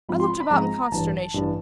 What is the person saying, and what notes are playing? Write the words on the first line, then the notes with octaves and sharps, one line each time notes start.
I looked about in consternation.
G#2 F3 G#3 C4 F4 B5
C6
B5
B5
G#2 F3 G#3 C4 F4 A#5
A1 G2 E3 A5
A1 G2 E3